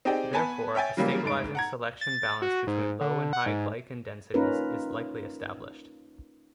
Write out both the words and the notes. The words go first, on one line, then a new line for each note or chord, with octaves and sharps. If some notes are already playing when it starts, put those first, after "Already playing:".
Therefore, a stabilizing selection balance between low and high glycan densities is likely established.
C4 D#4 G4 G#4 D5 G5
B3 B4 G#5 A5
C#5 E5 G5 G#5 A6
C#3 E3 F#3 G3 A#3
F1 G#2 A6 D7
F#5 A#5 G#6
A6
F#4
G#2
D3
F#5
G#2
A#3 C#4 D#4 F4 A#4 B4